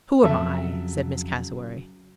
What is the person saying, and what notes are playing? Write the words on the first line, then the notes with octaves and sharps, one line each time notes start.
"Who am I?" said Miss Cassewary.
F2 C#3 F#3 A4 E5